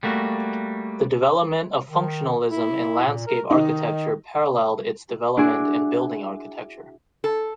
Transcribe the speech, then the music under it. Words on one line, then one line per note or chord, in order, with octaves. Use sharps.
The development of functionalism in landscape architecture paralleled its development in building architecture.
G3 A3 A#3 F#4
D#3
E4
A#2
A#4
D#3 D#4
D4 E4 F#4 G#4 D6
A4